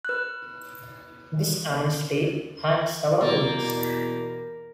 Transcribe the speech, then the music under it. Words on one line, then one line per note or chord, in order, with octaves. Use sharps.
This amnesty had several limits.
B4 F#6
E2 B2 G3 A#3 D5